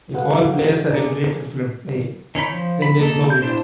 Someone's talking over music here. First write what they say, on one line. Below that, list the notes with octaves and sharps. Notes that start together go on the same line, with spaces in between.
If all players are eliminated from play, then there is no winner.
F#4 G#4 A4 B4 F5 F#5
B2 D4 G#4 A#4 D5 C#7
D#3 C#4 D#4 B5
F3
B5
A#3 D#4 A4
G6
D4 E4 C5